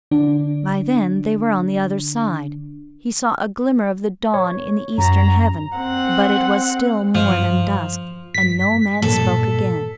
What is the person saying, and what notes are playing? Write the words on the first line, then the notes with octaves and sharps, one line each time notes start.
By then they were on the other side he saw a glimmer of the dawn in the eastern heaven, but it was still more than dusk, and no man spoke again.
D3 D4
C#5
F#2 A#5
C4 F#5
G2 F3
G2 B6
G2 A#2 A4